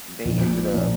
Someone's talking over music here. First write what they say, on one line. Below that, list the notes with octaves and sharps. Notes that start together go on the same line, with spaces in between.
they ended up
A#1 A#2 F3
A#2 F3